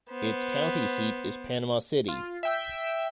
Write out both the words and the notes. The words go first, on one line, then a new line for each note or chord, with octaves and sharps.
Its county seat is Panama City.
B3 C5
F4
E5 G5 E6